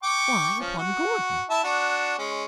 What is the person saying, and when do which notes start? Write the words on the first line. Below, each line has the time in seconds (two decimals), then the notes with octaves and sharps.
"Why upon Gordon?"
0.03 G5 C#6 D6
0.60 F3 C#4
0.78 F#4
1.50 E4 E5 A5
1.64 D4 F#4
2.18 G#3 C#4